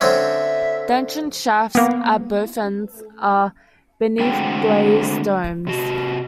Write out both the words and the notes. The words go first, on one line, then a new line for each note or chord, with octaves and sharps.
The entrance shafts at both ends are beneath glazed domes.
D3 C4 C#4 E5
A#3 B3
D3 G#3 A3 C4 F#4 G5
C3 F#4